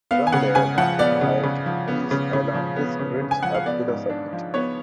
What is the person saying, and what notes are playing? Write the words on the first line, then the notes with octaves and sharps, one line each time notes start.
From there, one can hike east along this ridge up to the summit.
B3 F5
G#5
C#3 F#5
C#3 G#5
F3 F#5
B3 D5
C#3
C#3
F3
B3
C#3
C#3
F3
B3
C#3
C#3
G#5
F3 F#5
F5
B3 D5
G#2
D4
F3
B3 C#5